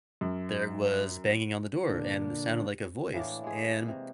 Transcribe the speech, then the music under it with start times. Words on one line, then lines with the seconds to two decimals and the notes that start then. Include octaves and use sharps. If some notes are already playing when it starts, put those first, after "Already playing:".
there was banging on the door and it sounded like a voice, and
0.21 F#2
1.90 A#2 D3 D4
3.14 A2 E3 A#3 D4
3.44 G#3 G#4
3.88 C3